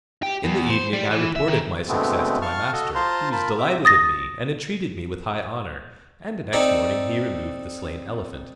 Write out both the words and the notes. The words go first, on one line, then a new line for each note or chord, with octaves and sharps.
In the evening I reported my success to my master who was delighted in me and entreated me with high honour; and next morning he removed the slain elephant.
G4
E2
C5
G3
E3
E5
D#3
B2 D3 G#3 A3 B3 C4
F5 A5 C#6 F6
F#4 A4 D#5
F4 C5 F5 A5 A#5 C6
F4 A#4 A5 B5
C3 E5 D6
D#6 A6 A#6
C4 D#4 A4 D5